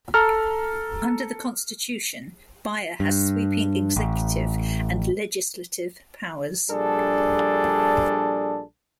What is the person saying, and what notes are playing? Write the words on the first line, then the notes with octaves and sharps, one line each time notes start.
Under the constitution, Biya has sweeping executive and legislative powers.
A4 A#5 F6
G2
A1
A#1 G3 D4 G#4 A4